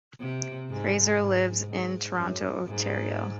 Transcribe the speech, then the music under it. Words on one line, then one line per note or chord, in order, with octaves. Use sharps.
Fraser lives in Toronto, Ontario.
C3
G#2
G#2
G#2
F#2
G#2